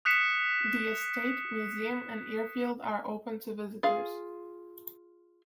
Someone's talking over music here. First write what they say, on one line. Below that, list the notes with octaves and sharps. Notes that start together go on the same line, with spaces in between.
The estate, museum, and airfield are open to visitors.
D#6 F#6 B6 C#7 E7
F4 G#4 F5